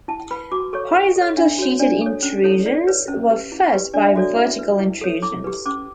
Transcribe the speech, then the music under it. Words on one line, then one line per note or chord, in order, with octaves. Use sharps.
Horizontal sheeted intrusions were fed by vertical intrusions.
E4 A5
B4 B5
F#4 D6
A4 C#5 C#6
E4 F#5
A4
C#5
D4 E5
F#4 C#5
D4 D5
A4 C#5
C#4
E4 A4 C#5
E4 D5
B4 C#5
C#4
G4 B4
E4
G4 B4
D4 D5
E5
F#4 A4 C#5 D5
E4 E5
B4
E4
A4 C#5
E4 D6
G4 B4
C#4 D6